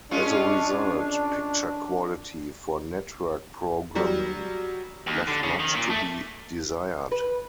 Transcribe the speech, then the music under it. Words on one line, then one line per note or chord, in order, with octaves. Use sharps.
As a result, picture quality for network programming left much to be desired.
G#3 C#4 D4 F4
F#3 G3
D#2
D3
C#3
D#3
A#2
A3
B4